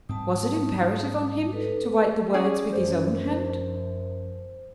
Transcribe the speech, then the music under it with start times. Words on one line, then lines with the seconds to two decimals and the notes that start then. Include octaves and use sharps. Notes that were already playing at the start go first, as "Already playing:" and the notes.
Was it imperative on him to write the words with his own hand?
0.09 G#2 G3 C4 A5 D#6
1.52 A4 B4
2.34 C#4 G#4 D5
2.73 F#2 F3 C5